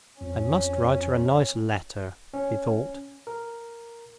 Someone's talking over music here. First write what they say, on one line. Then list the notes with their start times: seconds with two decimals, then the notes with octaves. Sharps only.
"I must write her a nice letter . . ." he thought.
0.21 F2 C#4
2.34 C#4
3.27 A#4